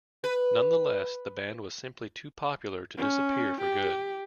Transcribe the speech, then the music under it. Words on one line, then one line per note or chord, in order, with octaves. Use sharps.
Nonetheless, the band was simply too popular to disappear for good.
B4
C#4
G4